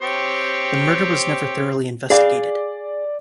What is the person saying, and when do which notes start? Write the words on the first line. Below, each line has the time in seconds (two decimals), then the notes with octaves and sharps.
The murder was never thoroughly investigated.
0.02 C4 G4 C#5
2.10 G#4 D5 F5